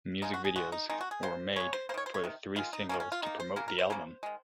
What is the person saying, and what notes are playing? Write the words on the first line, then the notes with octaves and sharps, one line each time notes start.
Music videos were made for the three singles to promote the album.
C#3 G#3 D#4
F#4
G#4
D#3 G#3 F#4
D#4
D#3 G#3 D#4
F#4
G#4
C#3 F#3 C5
C#3 G#3 C#5
C5
A#3 C5
D#3 C#5
C5
C#5
C3 D#3
D#3 G#3 F4
D#4
D#3 F#3 A#3 C#4
C#4
F4
D#3 A#3 D#4
C5
C#3 F#3 A#3 A#4
A#4
C5
C#3 F#3 A#3
D#3 G#3